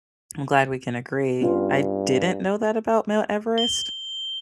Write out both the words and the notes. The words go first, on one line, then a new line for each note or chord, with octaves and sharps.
I'm glad we can agree. I didn't know that about Mount Everest.
G2 B3 C#4 F4
G7